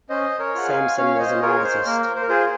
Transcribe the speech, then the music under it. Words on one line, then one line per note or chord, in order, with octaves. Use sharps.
Sampson was an artist.
C#4 C5 D#5
A#4 C#5
F4 G#4 F#5
F5 G#5
C#4 C#5 F5
C#5
C5 D#5
F4 G#4 A#4 C#5
C5
A#3 A#4
C5
A#4
F4 G#4 C5